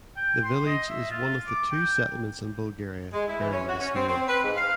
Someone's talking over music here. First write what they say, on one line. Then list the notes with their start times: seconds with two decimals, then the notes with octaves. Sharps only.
The village is one of the two settlements in Bulgaria bearing this name.
0.16 G5
0.44 C6
0.66 D#5
0.89 E5
1.11 F4
1.47 D6
1.72 G5
3.13 G#3
3.28 E4
3.40 E3
3.52 C#4
3.66 F#4
3.81 C#4
3.94 C4
4.08 C4
4.27 B4
4.43 G#2
4.55 F5